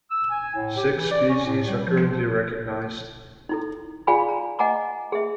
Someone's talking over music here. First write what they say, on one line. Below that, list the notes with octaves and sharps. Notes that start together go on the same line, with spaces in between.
Six species are currently recognized.
E6
G#5
A2
G4
E3
D5
C#4
A2
G3
F3
F3
D#4 E4 A4
F4 G#4 D5 F5 G#5 B5
A#5
D#5 F#5 G#5 A#5 D6
G#4 E5